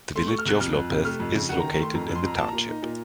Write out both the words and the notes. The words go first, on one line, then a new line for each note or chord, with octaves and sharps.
The village of Lopez is located in the township.
A3 C6
C#6
A3
F6
C3 F#6
F2 F6
F2
C3
A3 F6
F2
C#3
D#3 F#5
A#5
D#3
A#5
A3 C6
F2 A#5
F2
C6
F2 A#5
A#2 A5
A#2 A#5
D#4
A#2